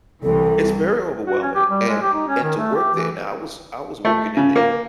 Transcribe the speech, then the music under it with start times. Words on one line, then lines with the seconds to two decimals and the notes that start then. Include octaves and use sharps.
It's very overwhelming, and and to work there now I was I was working in a
0.23 C2 E3 A4
1.25 F#4
1.42 C#4
1.55 G4
1.69 G3
1.88 G#3
2.02 G4
2.13 D#4
2.27 C#4
2.43 D#3
2.58 A3
2.75 G4
2.95 E3
4.05 A3
4.37 C#3
4.56 A#3